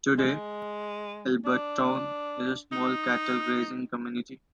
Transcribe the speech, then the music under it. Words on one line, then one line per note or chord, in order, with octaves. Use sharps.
Today, Alberton is a small cattle grazing community.
G#3
D4
D#4